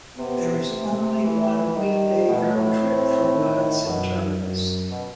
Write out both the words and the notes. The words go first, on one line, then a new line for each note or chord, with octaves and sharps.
There is only one weekday round trip from the Hudson terminus.
C3 B3
A3
E3
E3
E3
D#3 G3
B2 A3
A2
C4
D#3
F#2 B2
F#2
B2